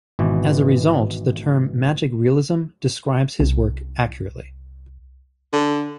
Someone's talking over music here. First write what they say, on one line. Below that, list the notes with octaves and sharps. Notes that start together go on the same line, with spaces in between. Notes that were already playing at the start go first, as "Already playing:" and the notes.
As a result, the term "Magic Realism" describes his work accurately.
G#1 B2 E3
C2
D3